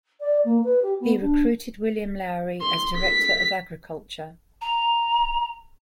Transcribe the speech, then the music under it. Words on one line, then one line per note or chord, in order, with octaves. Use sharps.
He recruited William Lowrie as director of agriculture.
D5
A#3
B4
G4
B3
D4
C6
B6
A#5